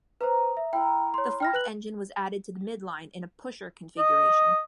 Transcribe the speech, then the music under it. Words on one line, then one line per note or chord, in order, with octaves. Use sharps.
The fourth engine was added to the midline in a pusher configuration.
B4 C5 A#5 D#6
E5
E4 A#4 G5
C#5 C6
G5 F6 A#6
B4 F#6 F#7
D#5